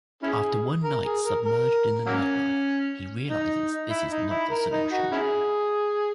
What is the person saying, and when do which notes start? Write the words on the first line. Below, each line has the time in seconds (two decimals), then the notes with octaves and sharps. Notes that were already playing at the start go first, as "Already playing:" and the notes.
After one night submerged in the nightlife, he realizes this is not the solution.
0.23 C#4 E4 G#4
0.84 A#4
1.05 G#4
1.24 A#4
1.45 A#4
2.06 F#3 A#3 C#4
3.29 D#4
3.90 E4
4.10 D#4
4.30 E4
4.51 A#4
4.71 D#4
4.92 F#4
5.12 C#4 E4 G#4